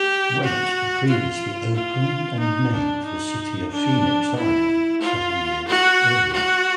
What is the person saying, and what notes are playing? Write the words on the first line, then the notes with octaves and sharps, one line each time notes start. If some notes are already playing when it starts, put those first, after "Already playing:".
Wait previously opened, and named, the city of Phoenix, Oregon several years earlier.
Already playing: G4
F#4
F4
F4
D#4
D4
D#4
D4
E4
F4
F#4
F#4